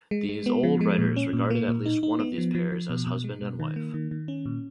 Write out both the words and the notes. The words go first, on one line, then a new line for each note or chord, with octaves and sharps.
These old writers regarded at least one of these pairs as husband and wife.
G#3
G#3
B3
F3
G#3
A#2
C#4
A#2
A#3
A#2
D#4
D#4
B3
F3
F3
F3
B2
B2
G#3
B2
D#3
A#3
D#3
D#3
C#4
A#2